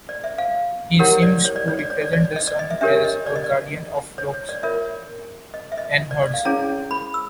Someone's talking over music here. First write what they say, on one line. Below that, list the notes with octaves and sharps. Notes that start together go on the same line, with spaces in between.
He seems to represent the sun as a guardian of flocks and herds.
D5
E5
F5
E4 G4 A#4 C#5 F#5
D5
C#5
D5
C#5
D5
C#5
D5
D5
D#5
D5
D#5
E5
D4 G4 A#4 C#5 E5
D#5
D5
D#5
D5
C#5
C#5
D5
F4 A#4 C#5 E5
D#5
E5
D#5
D5
D5
F5
C#4 E4 G#4 C#5 A#5
B5
E6